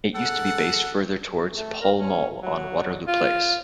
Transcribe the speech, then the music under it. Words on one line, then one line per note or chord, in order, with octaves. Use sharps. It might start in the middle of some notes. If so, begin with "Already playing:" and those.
It used to be based further towards Pall Mall on Waterloo Place.
C#3 A4 F#5
A3
A#4
C#4
F#3
F4